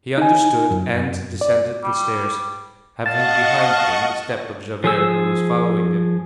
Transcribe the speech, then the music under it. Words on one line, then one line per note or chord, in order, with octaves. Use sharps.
He understood and descended the stairs, having behind him the step of Javert who was following him.
D#4 G#5
F#2
D5
G3
D#5 F5 F#5 A5 C#6
F3 G#4 E6